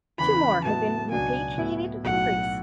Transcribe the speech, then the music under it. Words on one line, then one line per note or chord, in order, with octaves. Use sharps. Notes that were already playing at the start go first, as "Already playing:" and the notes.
Two more have been repatriated from Greece.
E2 C#3 E3 B5
A2 F#3 B3 E4 A5
C#2 B2 F#3 B3 D4 G#5
A2 F#3 B3 E4
B1 A2 F#3 F#5